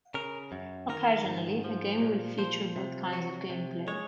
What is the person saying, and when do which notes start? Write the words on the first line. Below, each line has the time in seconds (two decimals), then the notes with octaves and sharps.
Occasionally, a game will feature both kinds of gameplay.
0.14 C#3 A#4
0.52 F#2
0.89 D#3 A#4
1.26 G#2
1.64 F3
2.02 A#2
2.38 F3 C5
2.76 C3
3.13 F#3 F#4
3.50 C3
3.88 G#3 C#5